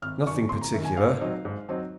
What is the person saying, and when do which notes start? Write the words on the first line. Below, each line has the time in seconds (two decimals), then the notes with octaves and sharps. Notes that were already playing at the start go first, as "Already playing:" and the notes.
"Nothing particular."
0.02 G#1 F6
0.26 F#2 D#3 C#6
0.49 G#1 C6
0.61 A#5
0.74 F#2 D#3
0.85 G#5
0.97 G#2 F5
1.21 F#3 C4 D#4
1.45 G#2
1.69 F#3 C4 D#4